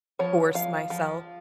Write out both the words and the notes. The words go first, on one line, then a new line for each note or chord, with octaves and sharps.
force myself.
F3 C#5
F3 F5
F3